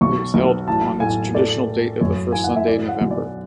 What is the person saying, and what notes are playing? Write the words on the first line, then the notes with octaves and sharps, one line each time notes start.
It was held on its traditional date of the first Sunday in November.
B1 C#6
B1
A1 A5
A2 G#5
A3 D5
A3
F#2 C#5
E3 G#5
F#5
E5
E3 D5
F#5
B1
D5